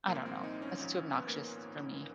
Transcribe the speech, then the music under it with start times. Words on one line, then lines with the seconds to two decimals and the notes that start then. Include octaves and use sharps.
I don't know, it's too obnoxious for me.
0.07 C2 A#2 F3 A#3
0.26 C4
0.43 D#4
0.62 C#4
0.79 G#1 G#2 F3
1.15 B3
1.27 A#3